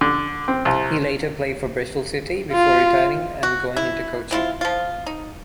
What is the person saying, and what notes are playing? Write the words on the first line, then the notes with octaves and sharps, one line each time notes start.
He later played for Bristol City before retiring and going into coaching.
D3
C4
C2
F4
F#4
E4
C4 E4 F4
F3 F4
D#4